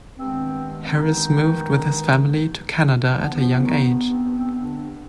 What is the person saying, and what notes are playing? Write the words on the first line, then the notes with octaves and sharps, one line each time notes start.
Harris moved with his family to Canada at a young age.
G2 D#3 G#3 B3 C4
D#3 D#4
G2 F3 B3
F3 F4
D#3 D#4
C4
C4
D3 D4